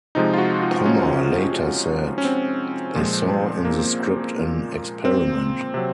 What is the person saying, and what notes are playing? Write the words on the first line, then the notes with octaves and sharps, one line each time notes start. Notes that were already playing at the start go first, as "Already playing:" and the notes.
Pommer later said: They saw in the script an 'experiment'.
C3 F3 G#3 D#4
F4
F#4
F4
C#4
C#4
C4
A#2 F3 G#3
A#3
C4
C3 F#3